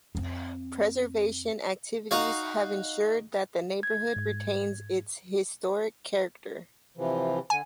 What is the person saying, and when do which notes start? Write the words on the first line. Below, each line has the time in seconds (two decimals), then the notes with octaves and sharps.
Preservation activities have ensured that the neighborhood retains its historic character.
0.15 F2 C4
2.11 D#4 F#4 F5
3.83 G#6
4.16 G#2
6.97 C3 E3 F3
7.50 D3 G#5